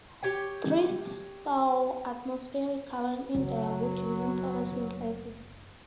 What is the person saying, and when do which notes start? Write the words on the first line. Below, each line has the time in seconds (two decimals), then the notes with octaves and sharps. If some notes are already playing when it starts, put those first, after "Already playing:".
Trees store atmospheric carbon in their wood using photosynthesis.
0.23 G4 C#5 G5
3.35 F#1 F#3